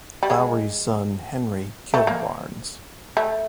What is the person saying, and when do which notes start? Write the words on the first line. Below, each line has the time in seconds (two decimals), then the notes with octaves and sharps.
Lowrey's son Henry killed Barnes.
0.23 G3
0.30 G#3
1.94 A3
2.07 A#3
3.17 A3